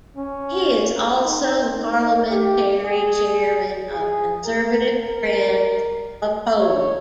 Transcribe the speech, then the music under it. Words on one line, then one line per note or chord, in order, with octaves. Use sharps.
He is also the Parliamentary Chairman of Conservative Friends of Poland.
C#4
D#4
D#4
G4
G#4
G#4
A#4
A#4
C#5